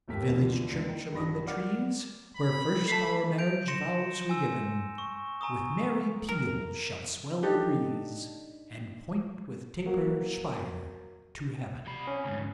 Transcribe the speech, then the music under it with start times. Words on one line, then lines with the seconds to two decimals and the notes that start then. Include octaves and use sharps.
The village-church among the trees, Where first our marriage-vows were given, With merry peals shall swell the breeze And point with taper spire to Heaven.
0.08 E1 D#2 A3 G4 A#4 B6
0.27 D2 B2 D3 E3 F3
0.72 C#2 D3 A#3
0.87 D#3
1.11 A#1 G2 D4 B5 A#6
1.47 A#4 D5 F#5 D6 F6
2.36 B5
2.88 A3 A5 B6 C7
3.38 G6 D7 F7
3.68 C6 A#6 C#7 E7
4.29 G#5 E6
4.98 C#6
5.41 G#5 A#5 C#6 D#6
6.29 A#4
7.43 D4 D#4 G4 A4
9.86 F#3 A#3 F#4
11.86 C3 B5
12.07 C#4
12.25 D2 G#2